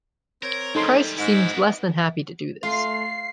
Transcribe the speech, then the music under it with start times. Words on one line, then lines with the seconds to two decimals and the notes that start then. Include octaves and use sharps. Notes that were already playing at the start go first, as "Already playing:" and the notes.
Price seemed less than happy to do this.
0.43 C4 A#4 C#5
0.75 E3 G3 D#4 A4 C6
1.18 G#2 E4 F#4
1.53 B3
2.63 A3 F4 C7